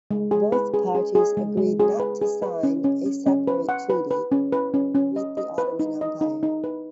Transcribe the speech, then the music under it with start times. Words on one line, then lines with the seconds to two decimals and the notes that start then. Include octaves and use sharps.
Both parties agreed not to sign a separate treaty with the Ottoman Empire.
0.11 G#3
0.31 G#4
0.52 B4
0.74 G#4
0.95 G#4
1.15 G#4
1.37 G#3
1.57 G#3
1.80 G#4
2.00 B4
2.21 G#4
2.42 B4
2.63 C#4
2.84 C#4
3.06 C#4
3.26 C#4
3.47 B4
3.69 F#5
3.90 B4
4.11 B4
4.32 C#4
4.52 B4
4.74 C#4
4.95 C#4
5.16 D#5
5.37 D#5
5.58 B4
5.80 D#4
6.01 D#5
6.21 D#4
6.43 D#4
6.64 B4